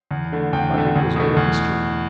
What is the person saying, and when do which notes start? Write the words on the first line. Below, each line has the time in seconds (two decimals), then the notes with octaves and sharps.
But it was all a mystery.
0.11 E2
0.32 D3 A3
0.53 E2 G5
0.74 D3 A3
0.96 E2
1.16 B2 A3
1.36 E2